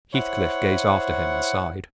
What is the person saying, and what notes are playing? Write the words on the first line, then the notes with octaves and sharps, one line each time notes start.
Heathcliff gazed after him, and sighed.
E4 C5 C#5 F#5